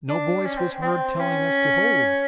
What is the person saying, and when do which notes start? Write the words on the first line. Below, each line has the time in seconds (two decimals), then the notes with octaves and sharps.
No voice was heard telling us to hold!
0.09 D4
0.46 C#4
0.58 C4
0.82 C4
1.20 C#4